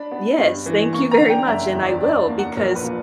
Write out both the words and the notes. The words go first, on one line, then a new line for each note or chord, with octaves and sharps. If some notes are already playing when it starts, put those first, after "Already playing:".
yes, thank you very much, and I will, because,
Already playing: D4 B5
B3
G2
E3
A#3 C#6
A#5
D3
G5
F#1 E5
E2
D5
D4 D5
A#3
F#5
A#1 A#4
B4
A#2